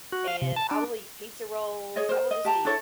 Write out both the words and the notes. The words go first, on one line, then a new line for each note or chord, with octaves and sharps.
and I will eat pizza rolls, I will just eat,
F#4
F5
C3
A5
D4
G#4 C#5 D#5
A#4 C5
D#5
G4 A5 A#5
D4 E4 A4 C#5